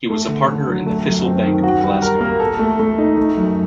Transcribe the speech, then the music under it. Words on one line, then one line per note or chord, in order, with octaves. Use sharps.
He was a partner in the Thistle Bank of Glasgow.
A3
D3
D3
F#3
A3
F#2
C4
D#3
F#4
G3
A#4
A#3
A4
A3
A3
D#4
A3
F#2